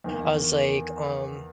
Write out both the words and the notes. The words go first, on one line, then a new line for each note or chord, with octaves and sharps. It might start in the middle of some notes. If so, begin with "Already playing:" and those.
I was, like, um,
E2 D#3 A#3